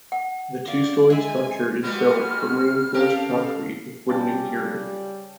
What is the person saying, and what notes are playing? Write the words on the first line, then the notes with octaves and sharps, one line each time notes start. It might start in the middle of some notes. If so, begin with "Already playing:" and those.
The two-story structure is built from reinforced concrete with wooden interiors.
F#5
D5 F5
G#3 D5 E5 G#5
G3 G#3 A#3 B3 F#4 F6
C#4 G4 A4 A#4 F5
C#3 G3 G5 A5